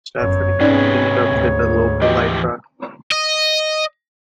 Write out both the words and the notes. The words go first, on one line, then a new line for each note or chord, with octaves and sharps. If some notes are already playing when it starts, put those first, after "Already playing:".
Stephanie teamed up with a local lifeguard.
G1 F#2 C#5
G#2 C3 B3 C#4 D#4 G#4 B4 D5
D2 G#2
E3 F3 G4 D#5
D#5